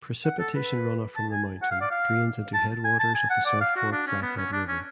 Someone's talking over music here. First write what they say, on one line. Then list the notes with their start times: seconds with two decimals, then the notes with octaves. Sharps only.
Precipitation runoff from the mountain drains into headwaters of the South Fork Flathead River.
0.25 F#5
0.39 A4
0.55 B4
1.16 A5
1.32 G#5
1.62 F#5
1.71 F5
1.81 D5
1.91 F5
2.54 A5
2.85 G#5
3.00 A5
3.15 G#5
3.30 F#5
3.45 D5
3.61 F5
3.76 F#4
3.92 D4
4.07 C#4
4.22 B3
4.37 C#4
4.52 D4
4.68 C#4